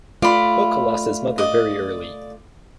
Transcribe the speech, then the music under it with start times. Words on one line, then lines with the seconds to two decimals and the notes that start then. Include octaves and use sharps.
Boka lost his mother very early.
0.22 A3 F4 D5 B5
1.38 D5 D#5